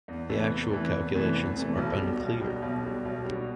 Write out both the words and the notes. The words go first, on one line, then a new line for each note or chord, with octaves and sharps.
The actual calculations are unclear.
E2
C3 E3 A3
E2
C3 E3 A3
E2
C3 E3 A3
E2
C3 E3 A3
B1
B2 G3
B1
B2 G3
B1
B2 G3
B1
B2 G3